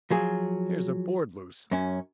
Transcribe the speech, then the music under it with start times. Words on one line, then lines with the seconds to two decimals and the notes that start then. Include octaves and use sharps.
'Here's a board loose.
0.10 F3 F#3 G#4
1.71 F#2 C#4